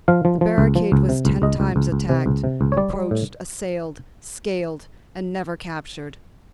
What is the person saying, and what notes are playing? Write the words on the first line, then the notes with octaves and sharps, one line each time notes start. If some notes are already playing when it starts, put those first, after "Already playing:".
The barricade was ten times attacked, approached, assailed, scaled, and never captured.
F3 F5
F3
F3
C#2
F3
C#2
C3
C#2
C#2 D#5
C#2
C#2
C#2
C3
C#2
C3
C#2
C#5
G3 D5
G3
A2